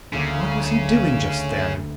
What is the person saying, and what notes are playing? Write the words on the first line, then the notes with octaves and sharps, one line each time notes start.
What was he doing just then?
D2 C#3 A#3